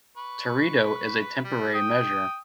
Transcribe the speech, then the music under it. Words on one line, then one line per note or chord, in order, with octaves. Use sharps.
Teredo is a temporary measure.
B4 C#6
G3
G5 D#6